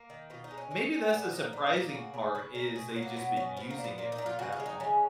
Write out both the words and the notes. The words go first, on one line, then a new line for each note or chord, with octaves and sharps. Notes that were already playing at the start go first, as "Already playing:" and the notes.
Maybe that's the surprising part is they just been using it for that long.
Already playing: A#3
D#3
B2 F4
D#4
G#3
C#4
G#3 C#4
G#3
A#2 B3
F3 D#4
A#2 D#4
C#4
A#3
D#4
C#3 F#4
C#3 G#4
C#3 B4
C#3 A#4
B2 G#4
F4
F#3
A#3
B2 B3
B2 C#4
F3 B3
A#3
A#2
B3
A#2 A#3
D#4
A#2
F4
C#3 F#4
F4
G#3
D#4
C#3 C#4